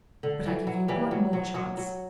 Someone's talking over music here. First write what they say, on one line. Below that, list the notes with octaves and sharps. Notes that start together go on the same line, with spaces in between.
But I give you one more chance.
D3
E3
F#3
E3 G3
F#3
F#3
F#3
F#3